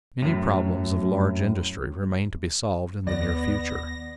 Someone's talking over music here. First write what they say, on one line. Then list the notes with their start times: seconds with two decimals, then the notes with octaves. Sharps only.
Many problems of large industry remain to be solved in the near future.
0.22 F#2 A2
3.07 D#2 B3 D5 A#6